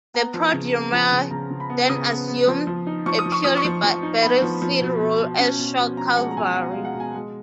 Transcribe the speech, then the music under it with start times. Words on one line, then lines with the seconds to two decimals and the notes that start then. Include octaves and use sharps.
The "prodromoi" then assumed a purely battlefield role as shock cavalry.
0.14 B3 A#5
0.34 F3
0.53 C#3
0.73 B3
0.92 F3
1.12 C#3
1.31 C#3 A#5
1.50 C#3
1.60 B5
1.70 B3
1.90 C#3 D#6
2.09 B3
2.28 B3
2.47 F3
2.67 F3
2.87 D#4
3.06 F3 C#6
3.19 D#6
3.26 F3
3.32 C#6
3.44 F3 D#6
3.57 C#6
3.65 F3
3.84 F3
4.03 D#4
4.23 B3 B5
4.42 F3
4.62 F3
4.81 B2
5.01 B2
5.19 B2
5.39 C#4
5.59 B2
5.78 B2
5.97 C#4 A#5
6.17 G#3 F#5
6.31 A#5
6.37 B2 G#5
6.56 B2 F#5
6.71 G#3 F5
6.85 F#5
6.95 B2
7.00 G#5
7.14 G#3